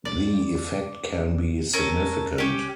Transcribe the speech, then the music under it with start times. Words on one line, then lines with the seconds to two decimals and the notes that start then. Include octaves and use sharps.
The effect can be significant.
0.05 D5
1.73 C#4 A4 A#4
2.38 C#4 G4